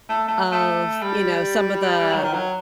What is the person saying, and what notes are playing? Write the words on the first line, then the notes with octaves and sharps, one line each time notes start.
of, you know, some of the
A3
A3
A3
G3
F#3
D#3
F#3